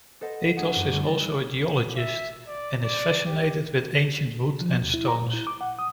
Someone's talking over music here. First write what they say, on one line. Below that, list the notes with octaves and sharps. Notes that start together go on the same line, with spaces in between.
Athos is also a geologist, and is fascinated with ancient wood and stones.
A4 B4 C5 D#5 F#5
G#3 D4 G#4 F#5 E7
F#2
D3 G3 A3 C4 C#4
D#5 A6
E6
E5
D5
D5
G4
F3
D#2
E4
A#5
A#2
E4
D6
F#5
D#6